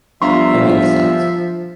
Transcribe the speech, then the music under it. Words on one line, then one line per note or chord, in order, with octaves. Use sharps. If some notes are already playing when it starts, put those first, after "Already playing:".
It makes sense.
G1 F3 E5 F5 A#5 C6